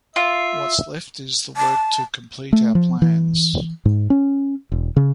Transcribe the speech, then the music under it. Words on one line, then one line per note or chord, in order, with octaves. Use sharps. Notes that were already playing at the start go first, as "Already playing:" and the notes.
What's left is the work to complete our plans.
F4 E5
A5
A3
F3
E3
G#2
C#4
E1
C#3